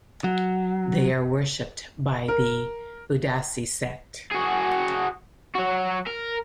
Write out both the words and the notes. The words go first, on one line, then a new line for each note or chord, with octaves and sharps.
They are worshiped by the Udasi Sect.
F#3
A#4
F#4 G#4
F#3 F#4
A#4